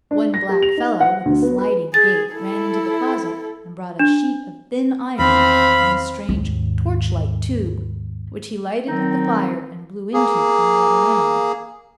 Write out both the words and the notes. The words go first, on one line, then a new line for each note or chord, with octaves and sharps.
One black fellow with a sliding gait ran into the closet and brought a sheet of thin iron, and a strange torch-like tube, which he lighted at the fire and blew into from the other end.
D4
A#6
G4
F7
D#4
F#5
D2
B3
B4
G#4 A6
E4 A4
D4
E2 D#3 C4 F5 B5
D#2 G#2
D#3 F#3 C4 D#4
A#3 G#4